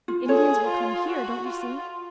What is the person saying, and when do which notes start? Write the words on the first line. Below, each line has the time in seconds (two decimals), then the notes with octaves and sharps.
The Indians will come HERE, don't you see?
0.08 F4
0.28 G#4 A4 C#5
0.68 F4
1.07 F#4
1.47 F4